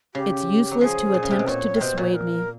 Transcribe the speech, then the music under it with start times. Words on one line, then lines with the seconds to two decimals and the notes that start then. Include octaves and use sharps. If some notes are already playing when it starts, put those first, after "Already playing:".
'It's useless to attempt to dissuade me.'
0.15 C#3 G4
0.71 F#3
0.81 F3 G#4
1.14 A#2
1.23 C#3
1.30 C3
1.39 B2
1.47 A#2 C#5
1.76 C3
1.81 B2 C5
1.97 A#2 C#5
2.14 A#4